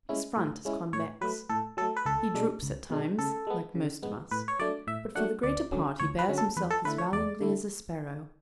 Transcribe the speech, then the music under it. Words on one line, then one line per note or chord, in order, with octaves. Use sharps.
His front is convex. He droops at times like most of us, but for the greater part he bears himself as valiantly as a sparrow.
G#3 C#4 E4
A2
G#3 C#4 E4
A2 C#5
F#3 A3 B4
A2 A4
F#3 A3 A4
B4
C#2 A4
B2 G#3 D4
C#2
B2 G#3 D4
C#3 A4
G#3 B3
C#3
G#3 B3
A2 B4
C#5
F#3 A3 D4 D5
A2 E5
F#3 A3 D4 F#5
D2 D5
D3 F#3 C#4
D2 C#5
B4
D3 F#3 C#4
A4
E2 B4
A4
D3 A3 E4 B4
C#5
E2 D5
D3 A3 E4